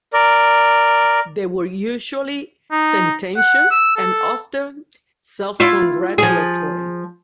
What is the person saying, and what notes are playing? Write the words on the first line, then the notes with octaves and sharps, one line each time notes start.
They were usually sententious and often self-congratulatory.
A#4 D5
D#4
F#5
E6
A4
E4 F4
F3 G#4